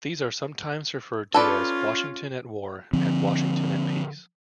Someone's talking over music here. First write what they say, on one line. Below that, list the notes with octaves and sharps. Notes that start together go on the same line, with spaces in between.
These are sometimes referred to as "Washington at War" and "Washington at Peace".
C#4 F4 A4 B4 D5
D3 F3 C4